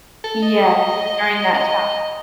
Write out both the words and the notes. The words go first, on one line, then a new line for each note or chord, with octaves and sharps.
Yes, during that tough
A4
D#5
D#5